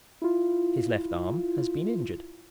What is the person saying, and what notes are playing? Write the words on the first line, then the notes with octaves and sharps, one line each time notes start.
His left arm has been injured.
E4 F4